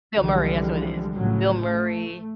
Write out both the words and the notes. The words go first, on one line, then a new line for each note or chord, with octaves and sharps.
Bill Murray, that's what it is. Bill Murray
C2 D3 E3 F3 G3 G#3
A1 A2 C#3 F3 F#3
A3